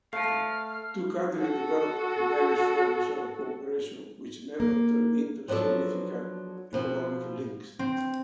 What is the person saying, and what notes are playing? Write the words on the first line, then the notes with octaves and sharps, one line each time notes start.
Two countries developed various forms of cooperation which never turned into significant economic links.
A3 F5 A5 F6
F#4 A4
A#3
F3 F#3 B3 D4 A4
B2 F3 C4
C4